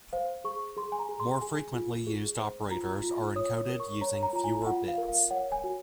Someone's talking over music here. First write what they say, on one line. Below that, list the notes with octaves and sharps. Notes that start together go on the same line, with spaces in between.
More frequently used operators are encoded using fewer bits.
C5 F5
G#4 C#6
G#4 C6
G#5
A#5
G#4
C6
G#4 G#5
F4
G#4
C5
F4 A#5
F4
C#5 D#6
D#6
A#4
C#6
C#5 A#5
A#5
F4 A#5
G#5
F4 F#5
F5
A#4
F5
C#5 F#5
G#5
F#4